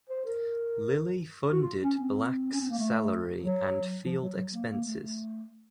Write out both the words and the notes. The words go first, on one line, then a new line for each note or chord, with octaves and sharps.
Lilly funded Black's salary and field expenses.
C5
A#4
F#4
F4
C#4
C4
C#4
C4
A#3
A3
F#3
F3
F#3
F#3
A#3
A#3
A3
A3